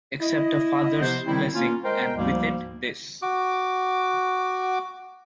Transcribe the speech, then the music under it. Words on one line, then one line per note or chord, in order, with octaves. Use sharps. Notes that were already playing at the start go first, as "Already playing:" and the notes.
Accept a father's blessing, and with it, this.
E4 D#5
C3 F3 B3 C5
D#3 G3 C4 E4
A#3 C#4 F4
G#3 A#4 C5 G5
D2 G#2 F3 G3 A#3
F#4 D6